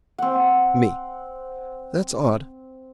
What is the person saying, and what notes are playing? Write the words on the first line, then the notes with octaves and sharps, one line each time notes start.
ME: That's odd.
C4 F#5